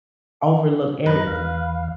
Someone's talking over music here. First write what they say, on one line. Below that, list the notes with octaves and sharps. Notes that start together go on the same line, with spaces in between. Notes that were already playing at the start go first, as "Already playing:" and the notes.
overlooked every, uh
F#2 B4 A#5
E2 F5